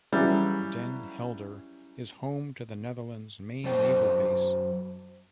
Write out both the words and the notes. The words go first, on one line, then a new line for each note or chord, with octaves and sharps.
Den Helder is home to the Netherlands' main naval base.
C#3 E3 F#3 G3
F#2 A4 C5 G5